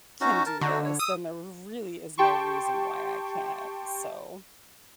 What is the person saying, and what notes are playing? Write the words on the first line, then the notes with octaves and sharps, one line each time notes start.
can do this then there really is no reason why I can't, so
C#4 D#4 F#4
A#4 A5
D3 D#4 F#4
C#5
D#6 E6
G4 G5 A5 C6 C#6